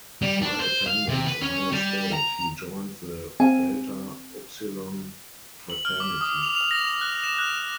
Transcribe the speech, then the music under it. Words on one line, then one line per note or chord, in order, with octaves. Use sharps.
While attending Ohio State he joined the Delta Upsilon Fraternity.
G3
D4
C5
F5
C3
B4
C#4
G3
A#5
C4 F5 G#5
F#7
F6
D6
D#6
F7
F7
A#6
F7
F#6
E7
F#6